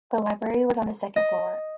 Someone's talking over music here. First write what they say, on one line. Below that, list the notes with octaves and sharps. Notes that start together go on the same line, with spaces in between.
The library was on the second floor.
D#5